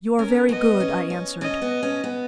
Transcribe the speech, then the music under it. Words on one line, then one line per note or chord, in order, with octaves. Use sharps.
"You are very good," I answered.
C#4 A#4
B3 D#5
C#4
C#4
C#4 D#5
B3
C#4
B3